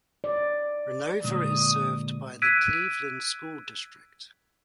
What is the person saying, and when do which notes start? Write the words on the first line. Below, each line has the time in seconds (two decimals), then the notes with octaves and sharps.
Renova is served by the Cleveland School District.
0.24 D5
1.24 A#2 D3 G#3 D#6
2.42 E6 F#6 G#6 B6 D7 D#7